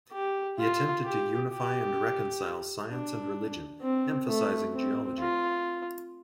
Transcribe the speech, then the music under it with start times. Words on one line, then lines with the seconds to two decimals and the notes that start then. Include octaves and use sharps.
He attempted to unify and reconcile science and religion, emphasizing geology.
0.12 G4
0.59 F4
1.04 G4
1.51 G4
2.89 D4
3.82 C4
4.27 A3
4.74 C4
5.20 F4